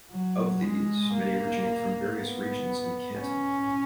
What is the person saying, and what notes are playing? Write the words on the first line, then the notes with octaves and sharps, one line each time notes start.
Of these, many originate from various regions in Canton.
F#3
G#3
A#3
B3
C#4